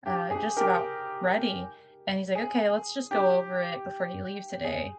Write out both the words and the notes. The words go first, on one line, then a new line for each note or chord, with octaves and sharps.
uh, just about ready." And he's, like, "Okay. Let's just go over it before he leaves today,"
G4
G#4
G4 A#4
G#4
G4
G#4